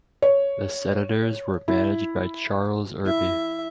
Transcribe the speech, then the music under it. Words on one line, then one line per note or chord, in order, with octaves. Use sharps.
The Senators were managed by Charles Irby.
C#5
E4
E4 E5